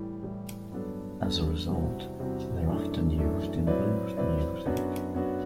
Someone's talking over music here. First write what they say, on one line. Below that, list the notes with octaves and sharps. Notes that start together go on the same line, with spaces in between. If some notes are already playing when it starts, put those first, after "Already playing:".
As a result, they are often used in blues music.
Already playing: A2 E3 G3
A2 E3 G3
G2 F#3 B3 D4 A4
G2 F#3 B3 D4 A4
E2 C3 G3 C4 F#4
E2 C3 G3 C4 F#4
F#2 E3 A3 D4
F#2 E3 A3 D4
F#3 C4 E4 B4 D5
F#3 C4 E4 B4 D5
F#2 F#3 B3 D4 F#4
F#2 F#3 B3 D4 F#4